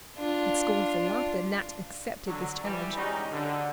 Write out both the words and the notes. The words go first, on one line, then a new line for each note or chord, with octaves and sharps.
With scornful laughter Nat accepted this challenge.
D4 F4
D3 F#3
E3 G3
G#3 C#4 D#4 F#4 G4
D3